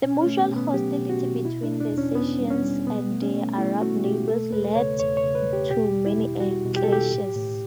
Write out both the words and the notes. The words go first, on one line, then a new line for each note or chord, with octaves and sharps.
The mutual hostility between the Circassians and their Arab neighbors led to many clashes.
B2 C#4
C#4
A3
B3
B2
B3
F#3 G4
B2
F#4
B2
B2 E4
B2 D4
D4
E2
C#4
E2 B3
G3
C#4
G3
B2 B3
A3
C#4
A3
A3 E4
A3 F#4
B2 G4
A3 A4
E2 B4
C#3 C#5
E2 C#5
C#5
C#3
B4
E2
G4
B2 G4
G3
E4
B2
G3 F#4
B2
G4
A4
B2 G4
A2
A2